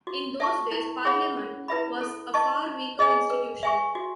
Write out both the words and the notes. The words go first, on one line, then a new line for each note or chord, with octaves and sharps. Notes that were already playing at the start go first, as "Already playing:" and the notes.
In those days, Parliament was a far weaker institution.
F#4
A4 E5 A5 C#6
E4
G#4 C#5 F#5 B5
C#4
E4 B4 E5 B5
A4
D#5 A5 C#6
D#4
G#4 D#5 G#5
B4
E5 G#5 C#6
F#4